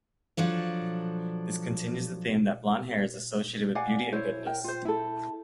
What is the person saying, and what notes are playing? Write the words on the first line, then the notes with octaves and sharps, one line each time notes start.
This continues the theme that blond hair is associated with beauty and goodness.
F3 F#3 D4 A4
D5 F5 F#5 G#5
E4 C5 C#5
A#4 G5
F4 C5
E4 A4